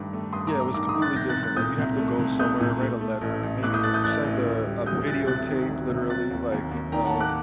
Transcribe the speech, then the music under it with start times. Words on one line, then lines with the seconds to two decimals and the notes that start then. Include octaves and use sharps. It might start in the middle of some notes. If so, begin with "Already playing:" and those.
Yeah, it was completely different, like, you'd have to go somewhere, write a letter, maybe send a a video tape literally like, um
Already playing: G2 D#3 A3 D6
0.13 A3
0.33 G2 C6 D#6
0.47 A#5 D6
0.54 A3
0.60 A#5 D6
0.74 D#3 A#5 D6
0.89 C6 D#6
0.95 D#3
1.02 F#6 A6
1.16 C2 G6 A#6
1.29 F#6 A6
1.36 C2
1.43 F#6 A6
1.56 A#2 D#6 G6
1.78 C2
1.98 A3
2.19 C2
2.39 A3 D#6 G6
2.60 A#2
2.81 A3
3.01 A3
3.21 A1
3.43 A1
3.63 A2 D6 F#6
3.74 D#6 G6
3.83 A3 F#6 A6
3.94 D#6 G6
4.04 A1 F#6 A6
4.24 A1
4.45 D2
4.66 G3
4.86 D2 D#6 G6
5.07 D2 F#6 A6
5.27 C3 F#6 A6
5.48 D#3
5.69 D2
5.89 C3
6.10 F#3 F#6 A6
6.31 D#2
6.52 D#2
6.71 D#2
6.92 D#3 G5 A#5
7.06 F#5 A5
7.14 A#3
7.20 D6 F#6